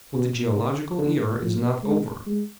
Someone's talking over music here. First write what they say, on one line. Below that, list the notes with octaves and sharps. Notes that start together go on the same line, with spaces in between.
For the geological era is not over.
B2
C3
D3
F3
G#3
G#3